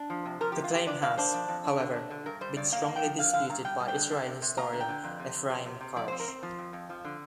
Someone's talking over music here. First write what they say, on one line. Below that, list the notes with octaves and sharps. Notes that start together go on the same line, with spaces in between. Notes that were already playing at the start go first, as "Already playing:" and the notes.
The claim has, however, been strongly disputed by Israeli historian Efraim Karsh.
Already playing: D4
F3
C3
F3 A#4
G4
C3
F4
F3 G4
D4 D5
A#3 F5
D4 C5
F3
F2
D4
D3
D4
D3
G2 A#4
G3 C5
G2 D5
A#3 F5
A#3
G5
F3
D3 F5
D3 F5
G2 A#5
G3 G5
G3
G5
D3
D4
C3
C3
A#3 A#5
D3
G5
D3
F2
C3
F2
C3
C3
C3
F3 D5
C5
C4
A#4
C4
F3
F2
F2
F3
D3